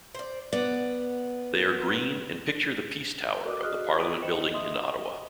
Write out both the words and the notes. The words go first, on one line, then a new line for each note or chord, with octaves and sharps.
They are green, and picture the Peace Tower of the Parliament building in Ottawa.
C5 D5
B3 D5 F#5
F#4 A4 A#4 D5 D#5 D6
F#4 G#4 D#5 D#6 F6 F#6
F4 D6 D#6 B6 D7 D#7
C5 D#5 G5 C#7 E7 F#7
D#5 E5 C6 D#6 F#7